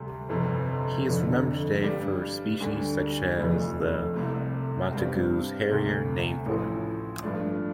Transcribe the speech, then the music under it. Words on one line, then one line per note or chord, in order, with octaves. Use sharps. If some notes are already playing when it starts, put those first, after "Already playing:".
He is remembered today for species such as the Montagu's harrier, named for him.
Already playing: D2 C3 G3
G1 F2 C3
F1 F2 D3
G2 G3 D4
D2 D3 G3 D4
F1 F2 F3 A3
C2 C3 A3
G2 G3 C4
D2 C3 A3
A1 A2 F3
G2 F3 A3 D4